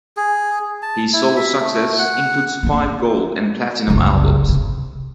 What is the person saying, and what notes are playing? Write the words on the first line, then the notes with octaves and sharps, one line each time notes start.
His solo success includes five gold and platinum albums.
G#4
A5
E4
E5
A3
F#5
A#3 C4
F#1 C2
C3